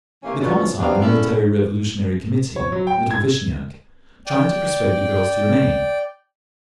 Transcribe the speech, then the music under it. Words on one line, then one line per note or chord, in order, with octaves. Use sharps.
The Commissar of the Military Revolutionary Committee, little Vishniak, tried to persuade the girls to remain.
C3 E3 A3 A#3 C#4
D2 G#2 B2 C#4 D4 F4
C3 F#3 C4 D4 B4 F5
B3 C#4 D4 E4 G#4 A4
C#5
F#3
G5
G#6
D5 G5